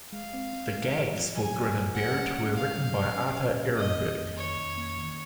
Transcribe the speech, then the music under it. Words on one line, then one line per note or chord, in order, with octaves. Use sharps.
The "gags" for Grin and Bear It were written by Arthur Erenberg.
G#3 F5
C4
C4
G#3
F3
F3
F#3 G#5
F#3
A#3
A#3 F#5
C#4
C#4
A#2 F5
F#3
A#2
C#4
C#4
A#2
A#3 D#5
D#3
F2
D#3 C#5
F2
A#3
D#3